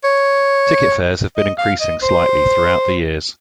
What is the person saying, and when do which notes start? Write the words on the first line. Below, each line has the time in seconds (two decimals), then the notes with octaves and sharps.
Ticket fares have been increasing slightly throughout the years.
0.04 C#5
1.37 D#5
1.58 F5
1.80 D#5
2.03 C5